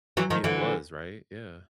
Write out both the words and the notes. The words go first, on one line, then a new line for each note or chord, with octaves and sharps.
It was, right? Yeah.
E3 F#3
D#3 F3
D3 E3